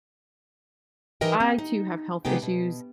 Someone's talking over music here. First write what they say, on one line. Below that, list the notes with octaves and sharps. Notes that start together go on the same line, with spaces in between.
I, too, have health issues,
E3 D#4 G4 A#4 D#5 G5
C4
D#4
C3 G#3 B3 D#4 G4 G5
B2